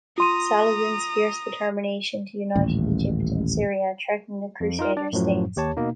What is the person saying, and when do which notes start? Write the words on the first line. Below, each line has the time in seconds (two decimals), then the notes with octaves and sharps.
Saladin's fierce determination to unite Egypt and Syria threatened the crusader states.
0.18 F4 A#5 C6 D#6 D#7
2.56 D#1 A1
4.60 F2
4.79 D#4 F4 A#4
4.97 D4 D5
5.13 F#2 A2 F3 F#3
5.56 D#2 G4 C#5 A5
5.77 B2 A#3 D#4